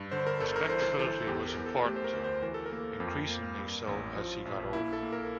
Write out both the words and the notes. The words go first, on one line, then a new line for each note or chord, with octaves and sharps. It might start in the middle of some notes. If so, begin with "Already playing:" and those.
Respectability was important to him, increasingly so as he got older.
Already playing: G2
D3 C5
A#4
G1 A4
A#4
E3 C5
E3 A4
E2 G4
A#4
E2
A4
A3 G4
C5
A#4
D2
C5
E3 A#4
A4
A#4
A#3
F2
A#3
G2
A1
F3
A#1
A#3 E4
A4
A#3
A#4